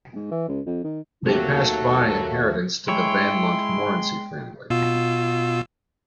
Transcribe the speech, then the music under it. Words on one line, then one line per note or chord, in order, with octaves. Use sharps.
They passed by inheritance to the van Montmorency family.
G#2
E3
C#2
F2
D#3
D#2 F#3 A3 C4 F#4 G4 A4
G#3 E4 C#5 G5 C6
B2 F4 E6